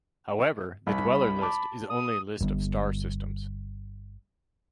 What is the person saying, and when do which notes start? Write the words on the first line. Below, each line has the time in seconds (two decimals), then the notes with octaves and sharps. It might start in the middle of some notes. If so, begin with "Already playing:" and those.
However, the Dweller List is only a list of star systems.
0.87 C2 B5
1.42 A5 D6
1.90 D#6
2.41 G1 G2